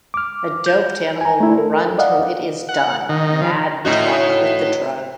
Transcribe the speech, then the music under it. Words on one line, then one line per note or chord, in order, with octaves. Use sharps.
A doped animal will run till it is done, mad drunk with the drug.
D6 F6
G6
G#5 A#5
A3 E4
A4 A#4
D5 D#5 F5 F#5
F#5
D#3
F3
A2 D#4 F#4